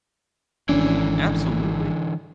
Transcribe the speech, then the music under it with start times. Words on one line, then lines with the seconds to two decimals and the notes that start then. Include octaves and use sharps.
Right, absolutely.
0.69 G#1 D3 E3 C#4 D4